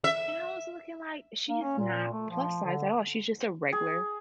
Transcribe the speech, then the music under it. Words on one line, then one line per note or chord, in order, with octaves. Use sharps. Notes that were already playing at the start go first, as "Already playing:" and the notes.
and I was looking like, "She is not plus size at all. She's just a regular
E5
A#3
C#4
A#2
A3
F3
D3
G#4